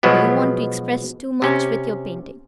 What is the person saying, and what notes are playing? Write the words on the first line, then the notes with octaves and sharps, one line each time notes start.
And you want to express too much with your painting.
B2 F3 F#3 G#3 B3
C3 C#4